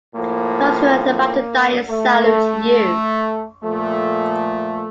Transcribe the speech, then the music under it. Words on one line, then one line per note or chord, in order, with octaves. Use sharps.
Those who are about to die salute you!
A2 F3 A#3
A#3
A3
A#2 F3 A3